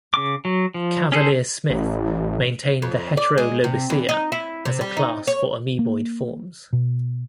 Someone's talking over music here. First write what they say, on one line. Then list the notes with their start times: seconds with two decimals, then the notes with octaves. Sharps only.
Cavalier-Smith maintained the Heterolobosea as a class for amoeboid forms.
0.14 C#3 D6
0.45 F#3
0.74 F3
1.12 C#4 G#4 A4 C5
1.70 A1
2.82 F2
3.17 D5
3.38 G#3
3.64 C3
3.90 E2
4.09 D#4
4.32 E4
4.65 C3
4.81 G3
4.97 D#4
5.27 C#5
5.79 A#3
6.73 B2